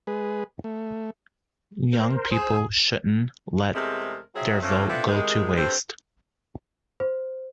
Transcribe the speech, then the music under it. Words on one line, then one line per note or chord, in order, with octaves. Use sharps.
Young people shouldn't let their vote go to waste.
G#3 G#4 B4
A3
A#4 C5
G#4 C5 E6
E2 C3 G#3 A3 C4 A#4
F3 F#3 C4 E4 G#4
D3 F3 A3 A#3 C4 C#4
B3 C4 D4 E4 F4 A4
A2 C3 D#3 G#3
G2 C4 A4 C5
C5